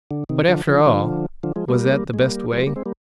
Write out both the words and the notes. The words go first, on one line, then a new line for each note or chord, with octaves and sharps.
But, after all, was that the best way?
D3
C3 D#3
D3 F3
D3 F3
D3 F3
D3 F3
F3 G#3
G3 A#3
G#3
G3 A#3
G3
F3 G#3
G3 A#3
G#3 C4
G3 A#3